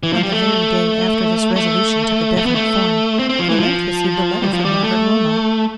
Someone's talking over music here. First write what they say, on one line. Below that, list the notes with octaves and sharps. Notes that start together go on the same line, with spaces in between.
On the very day after this resolution took a definite form, Clement received a letter from Margaret Wilmot.
E3
F3
G3
A3
A3
A3
B3
A3
C4
C4
F3
E3
F3
G3
F3
G3
A3